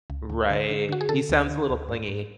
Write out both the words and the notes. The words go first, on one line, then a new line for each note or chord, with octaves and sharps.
Right. He sounds a little clingy.
C#2
D2
D3
D3
D3 F#4
G#4
D3 A4
D2
D3
D2
G#2
G#2